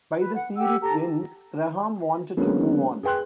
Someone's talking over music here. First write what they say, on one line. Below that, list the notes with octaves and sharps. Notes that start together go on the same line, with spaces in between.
By the series' end, Graham wanted to move on.
B4
F#5
G4 F#5 E6
G4 A4 A#5
D3 F#3 G#3 A#3 B3 C#4
G#4 B4 G5 C6 F#6